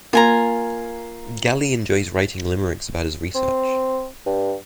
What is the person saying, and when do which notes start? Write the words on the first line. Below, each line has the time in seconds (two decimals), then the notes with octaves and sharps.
Galli enjoys writing limericks about his research.
0.13 A#3 F4 G#5 A#5
3.35 C4
4.26 G2